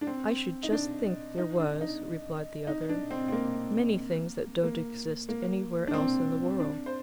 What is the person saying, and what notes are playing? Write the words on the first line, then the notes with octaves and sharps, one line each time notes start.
'I should just think there was,' replied the other; 'many things that don't exist anywhere else in the world.
D4
C4
D#4
D4
D#4
D4
D#4
D#4
D4
C4
C4
A#3
A#3
A#3
D4
C4
D4
C5